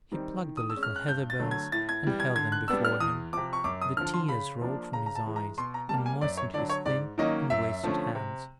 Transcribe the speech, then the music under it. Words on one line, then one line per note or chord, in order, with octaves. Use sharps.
He plucked the little heather-bells, and held them before him; the tears rolled from his eyes, and moistened his thin and wasted hands.
D#3 G3 C4 D#4
D#3
D#6
E6
G#3 C#4
F6
F#6
G2 G6
A6
D3 F#3 A3
G#6
A2 A6
G#6
E3 G3
G#6
D3 G#6
F#6
G3 B3 D4 E6
F6
E2 D#6
C3 F3 D6
C#6
F#2 D6
D#6
D3 F3 F6
C6
C#3 B5
F3 A#3 D4
C#3 A#5
A#5
A5
E3 G#3
A#5
B2 C6
A#5
G3 A#3 A5
G#5
F#2 D5
C#5
D3 F#3 D5
C#5
G#2 D5
D#3 F#3 A#3 C#4 D#5
F#2 E5
D3 F3 A3 C#4
C3